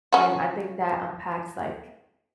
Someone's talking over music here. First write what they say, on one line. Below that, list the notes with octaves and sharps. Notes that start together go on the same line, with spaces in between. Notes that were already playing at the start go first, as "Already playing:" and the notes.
And I think that unpacks, like,
C#4 F#4